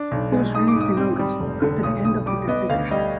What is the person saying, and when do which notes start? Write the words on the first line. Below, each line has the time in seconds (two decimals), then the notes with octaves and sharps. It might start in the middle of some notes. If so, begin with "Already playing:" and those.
He was released in August, after the end of the dictatorship.
Already playing: D4
0.11 B1
0.32 G#3
0.54 D#4 D#6
0.68 D6
0.75 G#2
0.81 D#6
0.97 C4
1.19 G3
1.40 F1
1.62 D3
1.83 B1 D#6
2.05 B1 D#6
2.26 G3 D6
2.48 B3 D#5
2.69 D2 F5
2.91 G3 D#5